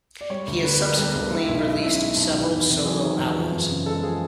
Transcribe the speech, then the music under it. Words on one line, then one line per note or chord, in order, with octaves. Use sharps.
He has subsequently released several solo albums.
D5
G3 C#5
D2
D3 B4
B3 B4
A#4
G3 A4
A#4
D2
G#3 E4
B1 E4
D#4
B2
C#4 E4
G#3
B1
D#3
E2
C3
F#3 G#4
D#3
E2
F3
F#2
C#3
G#3 A4
F3 G#4